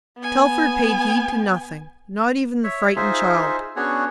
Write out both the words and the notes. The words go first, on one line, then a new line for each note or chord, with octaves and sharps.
Telford paid heed to nothing, not even the frightened child.
B3 G#5
C#5 E5
D#4 F4 G#4 C5 E5
B3 C#4 D4 F#4 G#4 C#5